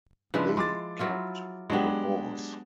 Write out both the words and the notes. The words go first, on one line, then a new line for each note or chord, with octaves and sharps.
They kept the horse.
C#3 F3 G#3 D4 E4 B4
G#3 C6 D6 A6
F#3 E4 F4
F#3 G#3 B3 D4 G4